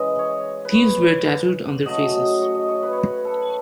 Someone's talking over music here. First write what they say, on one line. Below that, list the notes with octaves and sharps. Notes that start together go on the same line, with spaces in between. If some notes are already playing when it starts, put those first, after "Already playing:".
Thieves were tattooed on their faces.
Already playing: C#3 E3 G#3 D#5
C#5
B4
C#5
C#3 F#3 A3 D#5
D#5
C#5
D#5
C#5
B4
C#5
B4
A4